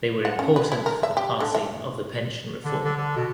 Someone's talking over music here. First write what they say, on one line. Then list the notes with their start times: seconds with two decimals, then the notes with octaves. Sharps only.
They were important for the passing of the pension reform.
0.25 F#5
0.39 C#4
0.56 B4
0.72 E4
0.86 A#4
1.03 E5
1.17 G4
1.40 D3
1.55 E5
2.65 D3
2.84 D3
2.96 D3
3.16 B2